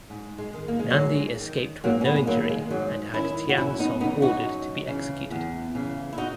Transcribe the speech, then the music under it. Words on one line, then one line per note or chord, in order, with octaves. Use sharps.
Nandi escaped with no injury and had Tian Song ordered to be executed.
G#2
G#3
D#3
A#3
G#3
F#3
G#2 G#3
D#3
G#2 F#3 A#3
C#4
G#3 B3
G#3
D#3 F#3 A#3
G#3
G#2 F#3
D#3 C#4 E4
F#4
F#2 C#4 E4
B3 D#4
C#3 E3 B3 D#4
D#4 F#4
F#2
C#3 E3
E2
C#3 E3
E4
D#4 F#4